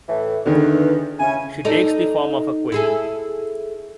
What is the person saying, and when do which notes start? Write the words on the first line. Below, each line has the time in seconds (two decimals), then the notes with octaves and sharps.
She takes the form of a quail.
0.08 A2 E3 A3
0.46 E2 D3 D#3
1.20 C#3 C#4 E4 G#5
1.65 D#4 A4 D5
2.72 E4 G#4 A4